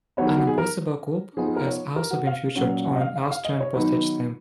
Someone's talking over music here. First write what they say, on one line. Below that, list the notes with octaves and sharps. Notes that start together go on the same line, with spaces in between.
An impossible cube has also been featured on an Austrian postage stamp.
D#3 F#3 B3 D#4 C#5
A#4
F#4
G#4
A#4
F3 B3 D#4 G#4
G#4
A#4
C#5
A#4
F#4
F5
A#2 F#3 C#4
F#5
D#5
F5
F5
F5
D#5
C#5
D#3 F#3 B3 D#4 B4